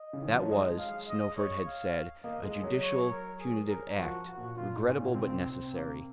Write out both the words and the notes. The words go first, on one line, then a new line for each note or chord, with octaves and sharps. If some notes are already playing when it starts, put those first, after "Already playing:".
That was, Snowford had said, a judicial punitive act, regrettable but necessary.
Already playing: D#5
C#3
D#3
F3
F#3
G#3 D#5
F5
D#5
C#5
F5
A#3 D#5
G#3
F#3
C#5
A#4
G#4
A#4
F3 F#4
F#4
A#2
A#2 F4
G#2
C#4
A#2
C3 C4
C4
A#3